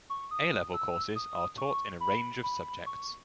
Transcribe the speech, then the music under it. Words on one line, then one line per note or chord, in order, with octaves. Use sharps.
A-level courses are taught in a range of subjects.
C#6
D#6
E6
D#6
C#6
B5
B5
C#6